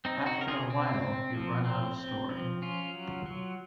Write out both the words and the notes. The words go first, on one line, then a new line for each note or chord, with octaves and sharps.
After a while, you run out of story.
C4 D#4
D#4 F#4
C#3 A#4
F4 G#4
C4
C4
F3
C4
C4
F3
C#4 F4
F#3
F#3